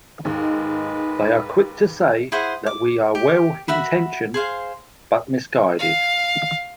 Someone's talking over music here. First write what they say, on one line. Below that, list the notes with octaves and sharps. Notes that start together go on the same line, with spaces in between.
They are quick to say that we were well-intentioned, but misguided.
D#2 G#2 G#3 D#4 B4
E4 G#4 C5 F#5
D6
G4
F#4 E5 F#5 B5
G#4 C5 F5
F5